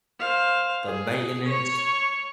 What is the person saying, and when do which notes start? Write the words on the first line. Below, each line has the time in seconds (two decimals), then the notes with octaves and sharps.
the maintenance.
0.19 C5 F5
0.85 G#4
1.48 C#5